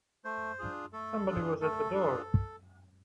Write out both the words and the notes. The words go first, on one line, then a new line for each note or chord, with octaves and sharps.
Somebody was at the door.
A3 C5
D4 F4 G#4
A3 A4
D4 F4 G#4
A3 A4
D4 F4 G#4